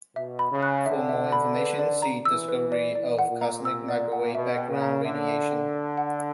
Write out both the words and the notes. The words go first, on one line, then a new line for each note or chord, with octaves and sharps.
For more information, see "Discovery of cosmic microwave background radiation".
B2 E5
B5
C#3
F#6
D3 E5
E5
B5
B4
D5
A#5
E3 E6
B4
D5
E3 D5
F#5
A#2
A#5
E6
D5
F#5
B2 E5
G5
C#3
A#5
D3 E5
E5
G5
D5
F#5